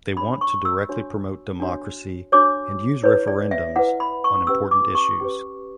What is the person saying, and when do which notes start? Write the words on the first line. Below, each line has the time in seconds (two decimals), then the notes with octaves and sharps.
They want to directly promote democracy and use referendums on important issues.
0.16 D4 F#4 C#5 B5
0.41 C#6
0.65 E6
0.89 D4 F#4 C#5
1.60 D4 F#4 C#5
2.32 D4 F#4 C#5 D6
3.03 E4 B4 C#5
3.27 D5
3.51 E5
3.76 E4 B4 F#5
4.00 B5
4.24 C#6
4.47 C#4 G4 B4 E6
4.71 D6
4.95 C#6
5.20 C#4 G4 B4